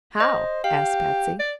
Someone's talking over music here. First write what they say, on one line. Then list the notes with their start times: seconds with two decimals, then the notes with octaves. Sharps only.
"How?" asked Patsy.
0.20 C5 D#5
0.64 G4 F5
1.40 D5